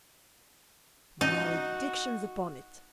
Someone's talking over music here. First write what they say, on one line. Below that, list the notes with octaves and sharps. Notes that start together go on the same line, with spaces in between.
Maledictions upon it!
D#4 F#4